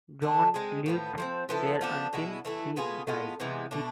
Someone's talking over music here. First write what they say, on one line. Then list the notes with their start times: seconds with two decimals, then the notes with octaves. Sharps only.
John lived there until he died.
0.22 D3 A3 D4
0.54 G#3 C4 G#4
0.86 A2 F3 B3
1.18 F3 G#3 C4
1.49 F3 B3 E4 A4
1.81 F3 B3 D4
2.13 B2 G#3 B3 E4
2.45 E3 A3 E4
2.76 B2 B3 F4 G#4
3.07 A2 G#3 B3 F4
3.40 C3 E3 G#3 B3
3.71 B2 A3 D4